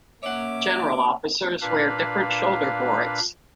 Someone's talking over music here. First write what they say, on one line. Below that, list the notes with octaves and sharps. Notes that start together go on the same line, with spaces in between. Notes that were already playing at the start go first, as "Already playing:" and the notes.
General officers wear different shoulder boards.
A#3 C#4 C#5 E5 F#5 D6
A#2 D4 B4 F5 B5